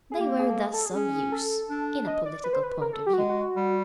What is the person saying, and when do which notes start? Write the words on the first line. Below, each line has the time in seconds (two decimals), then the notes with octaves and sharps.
They were thus of use in a political point of view.
0.11 G#4
0.20 A#3 G4
0.39 G#4
0.50 A4
0.63 G#4
0.74 A4
0.86 G#4
0.95 C#4
1.32 A4
1.69 D4
2.07 D#5
2.26 D5
2.44 B4
2.53 C5
2.63 B4
2.81 A#4
2.93 A4
3.06 G4
3.13 F#4
3.18 G#3
3.29 F#4
3.56 G3